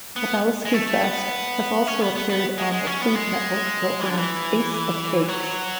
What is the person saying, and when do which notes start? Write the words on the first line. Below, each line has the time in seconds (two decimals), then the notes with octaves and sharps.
Lebowski Fest has also appeared on the Food Network program Ace of Cakes.
0.16 B3
0.65 G#3
0.73 A3
0.87 A3
1.02 B3
1.87 C#4
2.02 B3
2.15 B3
2.30 B3
2.58 G#3
2.72 G#3
2.86 C#4
3.01 B3
3.15 G#3
4.00 E3
4.09 D3
4.17 E3
5.28 F#3